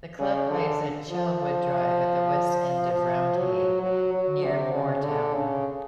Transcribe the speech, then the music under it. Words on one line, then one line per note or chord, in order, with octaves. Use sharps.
The club plays at Chelwood Drive at the west end of Roundhay, near Moortown.
C#3
D3
F3
F3
F#3
F#3
F#3
C3
C#3
D3
C#3